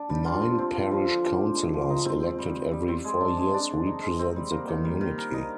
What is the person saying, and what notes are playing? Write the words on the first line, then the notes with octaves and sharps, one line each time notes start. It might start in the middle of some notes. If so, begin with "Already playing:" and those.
Nine Parish Councillors, elected every four years represent the community.
Already playing: D4
G3
F4
C4
C4
F3
F3
D3
G4
C4
G#3
F3
D#4
C4
C4
G3
C4
G3
C4
G#3
D4
G#3
D4
G#3
D#4
G#3
C4
G3
A#3
D#3
G3
D#3
A#4
D#4